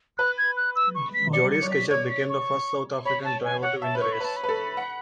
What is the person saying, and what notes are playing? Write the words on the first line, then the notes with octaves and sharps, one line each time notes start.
Jody Scheckter became the first South African driver to win the race.
B4 F#6
G#6
F#6
E6
C#6
B6
D5 C#7
C#7
C#5
B6
C#5 G#6
B6
C#6
C#5 B5
A5
G#5
C#5 F#5
E5 A5
B4
C#5 C#6
B5
B4 A5
B5
B4
A4
F#5